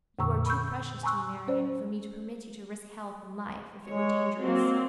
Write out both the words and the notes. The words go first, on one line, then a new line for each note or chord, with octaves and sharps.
You are too precious to me, Marian, for me to permit you to risk health and life, if it were dangerous.
F2 A#2 D3 A#5 C#6 E6
B5 C#6 E6 G6
G#5 A#5 C6 C#6 E6 F#6
C#4 C5 D5
G#3 C#5
F#3 A#3 C4